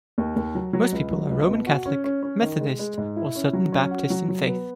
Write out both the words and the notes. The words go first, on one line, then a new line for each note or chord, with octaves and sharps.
Most people are Roman Catholic, Methodist, or Southern Baptist in faith.
D#2
D#2
F#3
F#3
C#2
F#3
C#2
B2
F#4
C#4
C#4
C#4
D#3
G#3
G#3
G#2
E4
C#4
F#3
C#4
F#4
F#3
F#3
B3